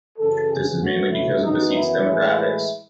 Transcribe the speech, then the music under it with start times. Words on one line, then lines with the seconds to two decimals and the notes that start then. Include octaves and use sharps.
This is mainly because of the seat's demographics.
0.18 F#2 C#3 E3 A4
0.50 G#4
0.81 C#2 B2 F#3 A3 F#4
1.12 E4
1.43 F#2 E3 B3 D#4
1.75 E4
2.06 A2 E3 G#3
2.38 E4